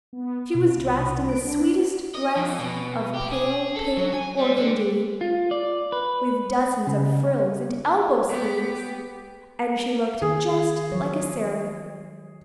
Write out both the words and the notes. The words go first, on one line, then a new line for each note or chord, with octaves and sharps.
She was dressed in the sweetest dress of pale-pink organdy, with dozens of frills and elbow sleeves, and she looked just like a seraph.
B3
B2
C2
D7
D4
D#5
F2
B2
G4
G#4
A4
F#3
G#5
G3
D3
F4
D5
B4
C#3
B3 G4
D#3 G#4
F3 F#3 C#5